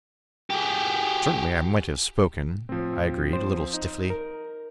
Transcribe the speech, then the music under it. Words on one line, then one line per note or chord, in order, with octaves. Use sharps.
"Certainly I might have spoken," I agreed, a little stiffly.
G4 G#4
A2 F3 C4
C5
D#4
A#4